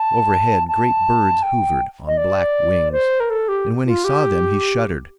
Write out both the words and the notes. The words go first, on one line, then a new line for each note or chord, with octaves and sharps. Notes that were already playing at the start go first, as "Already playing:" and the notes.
Overhead great birds hovered on black wings, and when he saw them he shuddered.
Already playing: A5
A5
G5
D#5
D5
C5
A#4
A4
G4
F4
G4